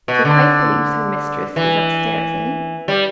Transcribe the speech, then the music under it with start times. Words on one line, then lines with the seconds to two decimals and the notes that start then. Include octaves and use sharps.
'She quite believes her mistress is up stairs, eh?'
0.08 B2
0.25 D3
1.56 E3
2.88 G3